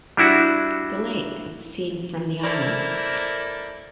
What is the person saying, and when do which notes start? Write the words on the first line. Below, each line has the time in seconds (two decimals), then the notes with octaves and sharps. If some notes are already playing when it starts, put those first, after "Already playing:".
The lake seen from the island.
0.17 G3 D4 E4 F#4
2.44 A#3 E4 A4 A#4 C5 D5